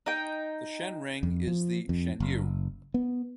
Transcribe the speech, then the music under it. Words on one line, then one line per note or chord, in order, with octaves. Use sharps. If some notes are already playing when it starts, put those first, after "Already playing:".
The Shen ring is the 'shenu'.
D#4 G5
F2
F3
F2
F#1
B3